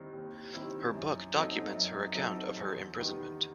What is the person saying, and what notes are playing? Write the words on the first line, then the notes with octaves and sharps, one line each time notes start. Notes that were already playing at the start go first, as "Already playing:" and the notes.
Her book documents her account of her imprisonment.
Already playing: D#2 D#3 G3 C4 E4
D#2
D#3 G3 C4 E4
F#2
F#3 C4 D#4 A4
F#2
F#3 C4 D#4 A4
E2
D#3 G3 B3